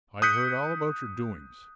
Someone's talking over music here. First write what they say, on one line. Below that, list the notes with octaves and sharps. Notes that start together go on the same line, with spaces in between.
I've heard all about your doings.
D#6 F#6 G6 B6 C#7